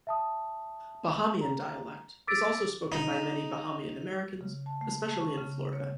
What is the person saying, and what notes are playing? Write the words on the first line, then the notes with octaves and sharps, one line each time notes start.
Bahamian dialect is also spoken by many Bahamian Americans, especially in Florida.
E5 A5 D#6
A#5
D6 E6 A6 B6 D7
D#4
C#3
A5
A3
A5
C#6
C#3
C#5